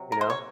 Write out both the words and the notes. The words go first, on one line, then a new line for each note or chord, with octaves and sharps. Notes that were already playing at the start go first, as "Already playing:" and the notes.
you know?
Already playing: C3 F#3
A#4
C5
C#5